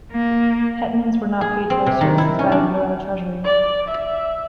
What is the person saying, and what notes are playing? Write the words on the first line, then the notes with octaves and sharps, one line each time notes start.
Hetmans were not paid for their services by the Royal Treasury.
A#3
G#4
C4
C3
D#3
E4
C#4
D4
D5
E5